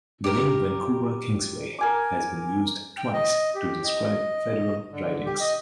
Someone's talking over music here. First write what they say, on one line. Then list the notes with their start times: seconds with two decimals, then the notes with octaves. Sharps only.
The name "Vancouver Kingsway" has been used twice to describe federal ridings.
0.24 G4 A#4
1.79 A#4 G#5 D6
2.98 G5
3.13 D#5
3.55 G4
3.85 D#5
4.92 D3
5.26 G4
5.40 D#5